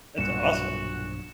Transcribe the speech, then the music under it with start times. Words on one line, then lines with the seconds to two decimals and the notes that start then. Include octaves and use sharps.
That's awesome.
0.18 B1 G2 A#2 F3 F#4 C#7 E7